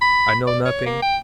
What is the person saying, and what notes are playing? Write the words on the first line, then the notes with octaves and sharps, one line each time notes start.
I know nothing.
B5
D5
C#5
A#3
G5